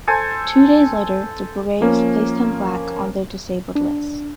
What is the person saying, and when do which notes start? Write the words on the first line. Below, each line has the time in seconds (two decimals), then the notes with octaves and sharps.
Two days later, the Braves placed him back on the disabled list.
0.07 A4 C5 G#5
1.81 F3 A#3 C#4
3.75 D4